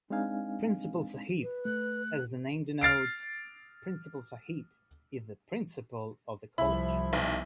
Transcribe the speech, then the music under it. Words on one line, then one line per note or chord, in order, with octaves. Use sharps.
Principal Sahib: As the name denotes, Principal Sahib is the principal of the college.
G#3 C4 D4 D#4 F5 G#5
B4
A3 F#6
F6 A6 C7 D7
C2 F3 E4 B5
B1